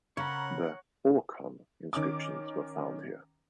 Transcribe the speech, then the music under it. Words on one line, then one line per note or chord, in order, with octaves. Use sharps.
The Orkhon inscriptions were found here.
C#3 C4 A#4 C#5 F#5 A#5 B5
D#3 C#4 D6